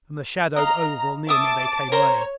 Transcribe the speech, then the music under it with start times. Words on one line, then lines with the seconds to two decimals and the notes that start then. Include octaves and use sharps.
From the shadowed oval near me they came running.
0.56 D#5 F5 A#5
1.29 E5 A5 D6 D#6
1.92 A#4 C5 C#5 A#5